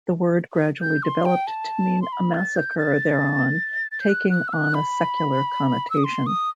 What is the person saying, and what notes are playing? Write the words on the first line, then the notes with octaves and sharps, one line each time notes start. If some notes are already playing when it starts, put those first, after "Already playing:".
The word gradually developed to mean a massacre thereon, taking on a secular connotation.
G6
C6
G5
A5
C6
B5
A6
G6
A6
A6
G6
F#6
F#6
E6
F#6
B5
E6
D#6
C6
D#6